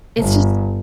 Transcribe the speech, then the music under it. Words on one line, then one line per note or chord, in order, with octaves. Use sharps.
it's just
G1